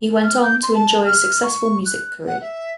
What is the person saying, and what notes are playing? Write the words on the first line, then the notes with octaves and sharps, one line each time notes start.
He went on to enjoy a successful music career.
F6
G6
C6
A5
F6
C#6
F#6
F#5
E5